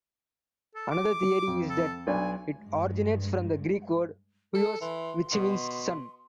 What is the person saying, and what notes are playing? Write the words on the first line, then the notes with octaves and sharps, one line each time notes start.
Another theory is that it originates from the Greek word "huios" which means "son".
A4
D6
F2
A4
B1 D4 G#5
G2 G#3
A4 A5
E3 C6
B2